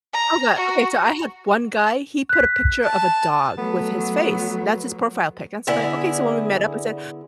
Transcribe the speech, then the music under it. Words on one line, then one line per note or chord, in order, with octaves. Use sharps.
Oh god, okay, so I had one guy, he put a picture of a dog with his face. That's his profile pic, and so I'm like, "okay," so when we met up, I said,
A#5
F#4
F#6 B6
A5
F#3 A3 B3
D3 B3 E4 G#4